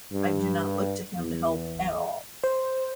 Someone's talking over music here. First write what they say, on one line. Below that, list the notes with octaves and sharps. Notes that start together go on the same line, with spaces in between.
I do not look to him to help at all,
G2
E2
C5